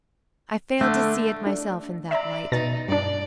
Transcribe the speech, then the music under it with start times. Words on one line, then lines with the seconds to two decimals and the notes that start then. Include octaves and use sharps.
I failed to see it myself in that light.
0.81 D3 A3
1.47 D4
2.11 D5 E5 A#5
2.52 B2 D#4 A6
2.88 G2 D4 D5